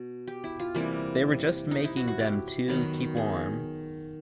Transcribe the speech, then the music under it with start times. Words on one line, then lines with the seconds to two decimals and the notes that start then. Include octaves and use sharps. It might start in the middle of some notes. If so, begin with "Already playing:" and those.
They were just making them to keep warm.
Already playing: B2
0.28 G4
0.44 E4
0.59 F4
0.75 C3 E3 G3 A#3 E4
1.71 D#4
1.84 E4
1.97 F#4
2.08 F#4
2.20 G4
2.68 D#3 F#3 B3
3.17 G#4